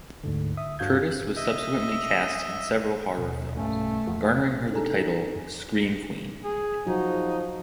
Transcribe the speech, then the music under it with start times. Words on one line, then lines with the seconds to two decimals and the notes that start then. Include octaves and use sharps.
Curtis was subsequently cast in several horror films, garnering her the title, "scream queen".
0.24 D2 G#2 D3
0.57 E5 D#6
0.79 G2 D4 F#4 F5 G6 G#6
1.36 D#5 E5
3.18 D#2 B2
3.57 B1 G2 A3 C#4
4.07 E2 A#2 F3
4.72 D4 D#4 A4 G#5 A#5
6.44 G#4
6.87 F3 F#3 D#4 F#4